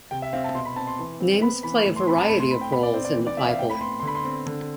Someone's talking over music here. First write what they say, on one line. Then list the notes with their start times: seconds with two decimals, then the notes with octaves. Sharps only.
Names play a variety of roles in the Bible.
0.11 C3 G5
0.22 E5
0.33 C4 F5
0.44 A5
0.55 B2 C6
0.65 B5
0.76 C4 A5
0.87 C6
0.99 E3
1.20 C4
1.42 B3 B5
1.63 E3 B5
1.85 A2
1.96 C6
2.07 C4 B5
2.18 A5
2.29 A2 B5
2.39 C6
2.51 C4 B5
2.61 G5
2.72 B2 B5
2.83 D5
2.94 C4 C5
3.05 D5
3.16 E3
3.27 D5
3.37 C4 E5
3.48 F5
3.59 A2 G5
3.70 B5
3.81 B3 C6
4.00 C6
4.02 D3 B5
4.15 C6
4.24 C4
4.46 D3